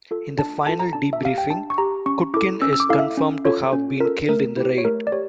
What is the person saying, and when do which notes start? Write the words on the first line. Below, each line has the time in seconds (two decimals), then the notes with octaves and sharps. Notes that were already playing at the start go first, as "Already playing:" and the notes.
In the final debriefing, Kutkin is confirmed to have been killed in the raid.
0.11 F4 A4
0.39 D4 A5
0.66 F4 A4 A5
0.80 A#5
0.93 D4 A5
1.13 E5
1.22 G4 F5
1.38 G5
1.50 D4 A5
1.70 C#6
1.78 G4 A#5
2.06 C#4 C#6
2.34 E4 A4 D6
2.62 C#4 E6
2.73 E6
2.80 D6
2.89 E4 A4 F5
2.99 E5
3.17 C#4
3.45 F4 A4 C#5
3.73 C#4
4.00 F4 A4 A#4
4.29 A3 A#4
4.57 E4 G4
4.78 C#5
4.85 A3 A#4
5.07 D5
5.12 G4 C#5